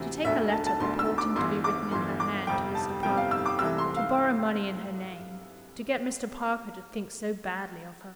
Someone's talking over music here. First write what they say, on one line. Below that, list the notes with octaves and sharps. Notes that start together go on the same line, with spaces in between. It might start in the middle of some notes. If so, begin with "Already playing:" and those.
To take a letter purporting to be written in her hand to Mr. Parker, to borrow money in her name, to get Mr. Parker to think so badly of her.
Already playing: D2 C3 E3
E1 D2 D3 A3 E5
A5
A5
E1 D2 D3 A3 C6
E6
D6
G1 G2 E3 C6
D6
G1 G2 E3 C6
D6
G1 F2 C3 G3 G5
A5
G1 F2 C3 G3 G5
F5
E6
D6
C2 C3 E3 A3 E6
C6
F5